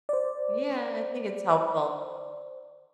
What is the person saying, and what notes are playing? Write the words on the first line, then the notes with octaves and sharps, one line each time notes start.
Yeah, I think it's helpful.
C5 D5